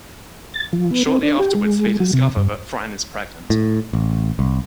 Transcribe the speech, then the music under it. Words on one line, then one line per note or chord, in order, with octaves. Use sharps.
Shortly afterwards they discover that Fran is pregnant.
A6
F3
B3
C4
D4
G4
G#3
G#3
F#3
C3
G2
A2
A1
C2